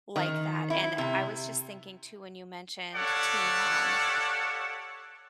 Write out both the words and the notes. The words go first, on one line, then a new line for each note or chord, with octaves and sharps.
like that, and I was just thinking too when you mentioned Teen Mom,
D#3
E4
C3
G4 A4 C#5 D5 F5 F#5